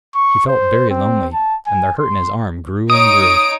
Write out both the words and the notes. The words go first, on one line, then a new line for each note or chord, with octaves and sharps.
He felt very lonely, and the hurt in his arm grew and grew.
C#6
C5
C4
A5
G#5
C6
D#4 C#5 D#6 D7